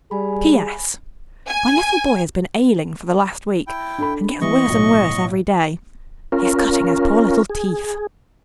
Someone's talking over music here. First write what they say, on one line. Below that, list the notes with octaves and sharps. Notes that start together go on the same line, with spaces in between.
P.S.--My little boy has been ailing for the last week, and gets worse and worse every day; he is cutting his poor little teeth.
G3 G#4 G#5 B5
G#5
E4 G5
D4 A4 B5
E3 B3 D#5 C#6
B1 A2
C#4 F4 A#4
G#4